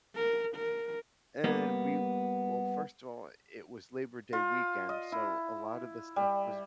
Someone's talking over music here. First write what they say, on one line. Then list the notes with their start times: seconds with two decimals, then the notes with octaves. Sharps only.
And we w well, first of all, it was Labor Day weekend, so a lotta the stuff was
0.15 A#4
0.56 A#4
1.44 G3 A#3 B3
4.33 F4
4.89 D#5
5.12 E4
6.16 G3